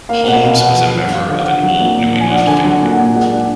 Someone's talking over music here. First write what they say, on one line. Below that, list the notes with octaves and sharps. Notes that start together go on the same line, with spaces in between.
Holmes was a member of an old New England family.
A#3 F5
B2 F#5
B2 F5
B3 F#5
F3
F#5
F3
F3 F5
D3 F5
F5
D3 F#5
F#3
A#2
A#2
F3
G#5
D4 F#5
D3 G#5
F#3 F#5
A#2
F#5
A#2 G#5
G#3 F#5
D4